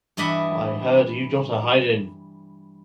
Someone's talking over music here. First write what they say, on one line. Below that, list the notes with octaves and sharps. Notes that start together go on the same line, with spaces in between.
I heard you got a hiding.
G2 E3 D#5 E5 F#5 B5